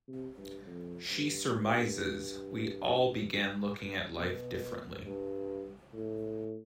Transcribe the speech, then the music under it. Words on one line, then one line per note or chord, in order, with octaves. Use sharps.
She surmises, We all began looking at life differently.
C3
G2
F2
G2
G2
B2
G2
A2